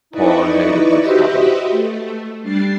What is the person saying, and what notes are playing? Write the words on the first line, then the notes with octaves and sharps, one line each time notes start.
Paul hated his father.
D#4 E4 B4 D5 D#5 C#6
F#4 G4 B4 C5 D#5 E5
A3
G3 D4 A6 C7